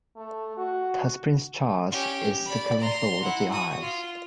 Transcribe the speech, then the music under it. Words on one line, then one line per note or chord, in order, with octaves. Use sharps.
Thus Prince Charles is the current Lord of the Isles.
A3
F#4
C#4 G4
D5 B5
A#5 C6
E4 F#5
F#4 D#6
F4